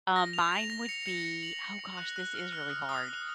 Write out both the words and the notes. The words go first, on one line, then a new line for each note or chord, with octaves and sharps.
Um, mine would be oh gosh, this is really hard.
A#6
F7
F7
A#6
C#7
C#7
C#7
F#7
A#6
C#7
F#6
F#6
F6
F6
D#6
D#6
F#6